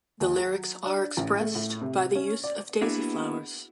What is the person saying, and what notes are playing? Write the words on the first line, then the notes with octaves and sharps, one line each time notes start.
The lyrics are expressed by the use of daisy flowers.
D#2
F#3
D4
A1
A3
A2
C3
C#4
D5
A#3 B3 D4 E4 F#4 G#4